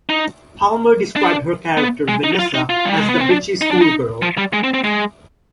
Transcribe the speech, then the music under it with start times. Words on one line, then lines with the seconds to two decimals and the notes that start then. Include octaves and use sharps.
Palmer described her character, Vanessa, as "the bitchy schoolgirl".
0.09 D#4
1.16 D4
1.77 B3
2.09 G#3
2.24 D#4
2.39 F4
2.54 D#4
2.69 F4
2.85 G3
2.97 G#3
3.09 B3
3.20 C4
3.31 D4
3.61 D#4
3.71 D4
3.81 D#4
4.22 F3
4.38 G3
4.53 G#3
4.64 C4
4.74 C4
4.84 G#3